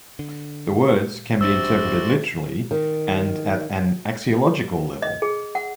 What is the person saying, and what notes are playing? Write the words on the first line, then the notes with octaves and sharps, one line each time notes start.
The words can interpreted literally, and at an axiological level.
D3
A1 C3 G3 D4 F#4 D5 C6 E6
D#3
D#5
G#4
F#5